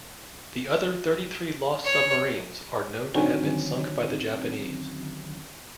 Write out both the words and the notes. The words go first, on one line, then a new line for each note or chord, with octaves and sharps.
The other thirty-three lost submarines are known to have been sunk by the Japanese.
C#5
D3 D#3 F#3 C4 C#4